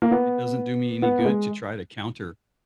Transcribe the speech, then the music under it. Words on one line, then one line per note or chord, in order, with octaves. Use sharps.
It doesn't do me any good to try to counter,
A#3
B3
B3
A#3
G#3